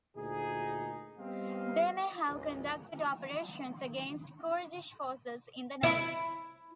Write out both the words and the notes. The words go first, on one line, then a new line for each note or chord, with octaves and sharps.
They may have conducted operations against Kurdish forces in the north.
D2 A#2 D#4 G#4
G3 B3 C4 D#5 F5
G#1 C#2
E4